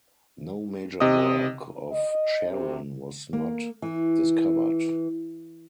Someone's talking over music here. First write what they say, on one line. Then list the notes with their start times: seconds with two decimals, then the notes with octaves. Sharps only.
No major work of Sharan was not discovered.
1.00 C3 D#5 D#6
1.92 D#5
2.50 C3
3.33 A#3
3.82 E3